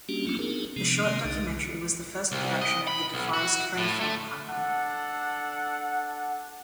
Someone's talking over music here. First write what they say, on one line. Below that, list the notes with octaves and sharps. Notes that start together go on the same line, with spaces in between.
The short documentary was the first production of the De Forest Phonofilm company.
G3 A#3 C#4 D4 F#4 G4
F#3 A3 A#3 C4 D4 F4
B3 C4 D4 D#4 G#4 A#4
C3 F3 G#3 B3 D4
C3 D#3 G#3 A#3 C4
C2 D3 D#4
C2
D#5
B5
B1
F#4
A2
A3
D4 A4 F#5